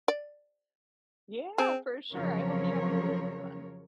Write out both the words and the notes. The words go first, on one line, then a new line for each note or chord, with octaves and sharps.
Yeah, for sure. I hope you have a really good one.
D5
C4 G#4
F2 C#3 F3 F#3 A#4 C#5